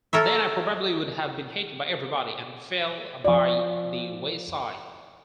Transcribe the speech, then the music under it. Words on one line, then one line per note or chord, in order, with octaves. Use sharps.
Then I probably would have been hated by everybody and fell by the wayside.
A4 A#4 C#5 E5
F3 D5